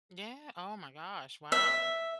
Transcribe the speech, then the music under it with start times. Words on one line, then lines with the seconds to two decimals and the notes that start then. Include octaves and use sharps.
Yeah, oh my gosh, wow.
1.52 E5